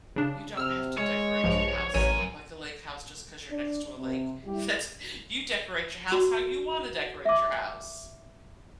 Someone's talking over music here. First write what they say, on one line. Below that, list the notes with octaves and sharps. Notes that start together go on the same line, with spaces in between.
You don't have to decorate your house like a lake house just 'cause you're next to a lake. That's you decorate your house how you wanna decorate your house.
C#3 D4
C3 E6 F6
G#3 C#5
A#1 G2 F3
A1 F#2 A#4 C#5 G#5
D4 D5
C3
G3 E4 G4
F#4
E5 D6